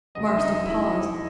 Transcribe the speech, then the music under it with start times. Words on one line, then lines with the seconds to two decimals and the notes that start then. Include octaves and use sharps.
Marston paused.
0.15 E1 D#2 C#3 F#3 D#5
0.26 E5
0.37 D#4 D#5
0.65 E4 E5